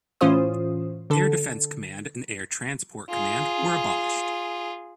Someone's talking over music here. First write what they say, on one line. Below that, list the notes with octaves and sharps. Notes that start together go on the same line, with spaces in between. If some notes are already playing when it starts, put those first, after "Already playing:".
Air Defence Command and Air Transport Command were abolished.
A2 E3 C#4 F4 C5 D#6
D3 A4
F4 G#4